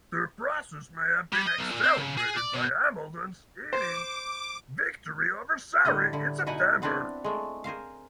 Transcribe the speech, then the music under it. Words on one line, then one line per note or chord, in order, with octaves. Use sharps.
The process may have been accelerated by Hambledon's innings victory over Surrey in September.
G3
D#5
B1
A#2
C4
C#3
G#4
D5
B2
C5 D6
A2 D3 G3 D#5 A#5
D3 E4
B2 D#4 E4 D#5 F#5 G#5
B3 C4 D4 E4 B4
G#3 A3
G#4 A#4 C5 F5